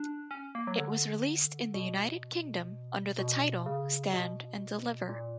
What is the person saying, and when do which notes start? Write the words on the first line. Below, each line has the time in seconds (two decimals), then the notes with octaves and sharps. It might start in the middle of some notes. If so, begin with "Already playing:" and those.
It was released in the United Kingdom under the title Stand and Deliver.
Already playing: D4
0.31 C#4
0.55 A#3
0.67 F#3
0.79 D3
1.74 B2
3.18 B2
3.66 C#3
4.13 B2
5.09 A#2